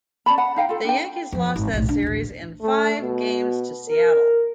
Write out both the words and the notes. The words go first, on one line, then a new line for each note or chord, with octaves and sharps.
The Yankees lost that series in five games to Seattle.
C#4 D5 A5 B5
F#5
D#4 F5 G5
F4 A4
D4 G5
F2 F3
G#1
B1 A2
D4
A1 D2
A3
B2
A#4